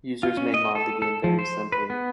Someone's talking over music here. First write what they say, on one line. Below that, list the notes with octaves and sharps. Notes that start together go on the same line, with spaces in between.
Users may mod the game very simply.
F4
C#4
D#5
A4
A4
F3
C5
B4
B3